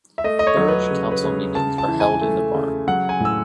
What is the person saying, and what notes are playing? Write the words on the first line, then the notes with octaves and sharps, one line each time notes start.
Parish council meetings are held in the Barn.
E5
A3 D#5
D#5
C#5
F#3
B4
C#3
B4
C#3
C#3 A5
A5
E3
G#5
A3
C#3
F#3 F#5
G#5
A2 E6